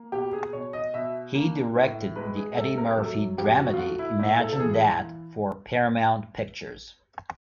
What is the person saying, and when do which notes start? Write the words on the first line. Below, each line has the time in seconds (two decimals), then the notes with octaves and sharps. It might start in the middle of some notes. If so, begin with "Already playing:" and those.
He directed the Eddie Murphy dramedy "Imagine That" for Paramount Pictures.
Already playing: A#3
0.12 B2 G4
0.33 G#4
0.53 B2 C#5
0.73 D#5
0.94 B2 E5
1.35 A#3
1.75 A2
2.16 G#3 B4
2.37 G#4
2.57 C3 A4
2.77 A#4
2.97 F#3 A4
3.38 F2 G4
3.58 F#4
3.73 F4
3.79 A3 F#4
3.99 E4
4.19 A#2 E4
4.40 A4
4.53 A4
4.60 E3 G#4